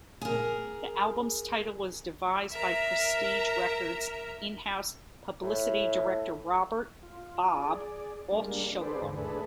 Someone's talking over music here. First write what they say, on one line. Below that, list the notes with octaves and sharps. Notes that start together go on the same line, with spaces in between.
The album's title was devised by Prestige Records' in-house publicity director Robert "Bob" Altshuler.
G#4 A#4
A#4 E5 A#5
A2
F4
G#4 D5
G3 G#3 A#3 D4
G#4 A4 B4 C5 D5
E2 G#2 D3
A3 D4 G#4 A4 B4